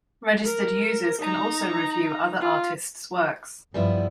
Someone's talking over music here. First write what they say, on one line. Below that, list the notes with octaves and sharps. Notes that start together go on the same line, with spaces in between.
Registered users can also review other artists' works.
A#4
D#4 A#5
F4
G2 F3 G3 B3 E4